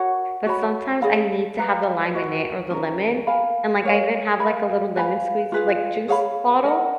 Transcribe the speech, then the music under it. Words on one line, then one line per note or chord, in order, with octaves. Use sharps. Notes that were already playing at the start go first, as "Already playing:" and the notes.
but sometimes I need to have the lime in it or the lemon, and like, I even have, like, a little lemon squeeze, like, juice bottle,
Already playing: F#4 A#4 C#5 F#5
F#4 C#5 G#5 B5
G#4 C#5 F5 B5
B4 F5 A#5
F#4 B4 D#5
C#4 F4 A#4
A#4 F5 G#5 B5
A#4 C#5 F5
A#4 F5 B5
B4 F5 G#5 B5
F4 G#4 B4 F5
G#4 C#5 F5 B5
A#4 D#5 F#5